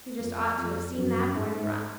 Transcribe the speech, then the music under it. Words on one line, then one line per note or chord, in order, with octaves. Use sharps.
You just ought to have seen that boy run!
F2
F2
F#2
G#2